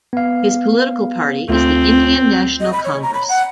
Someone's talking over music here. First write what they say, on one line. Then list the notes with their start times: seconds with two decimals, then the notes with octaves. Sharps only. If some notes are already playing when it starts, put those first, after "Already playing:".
His political party is the Indian National Congress.
0.13 B3 F5
1.49 D2 A3 C4 F4
2.61 D#5
2.73 B5
2.84 C#5
3.02 A#5
3.14 B5
3.29 F#5